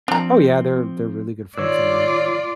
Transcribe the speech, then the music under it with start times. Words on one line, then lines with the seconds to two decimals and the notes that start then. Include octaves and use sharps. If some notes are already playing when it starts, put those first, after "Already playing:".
Oh, yeah, they're they're really good friends of mine.
0.08 F3 C4 D4 A#5
1.58 D#3 F4 C#5 D5 E6